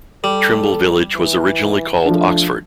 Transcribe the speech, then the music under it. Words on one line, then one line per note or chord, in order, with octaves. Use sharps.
Trimble village was originally called Oxford.
G3 A4
E3
F3 A3 D4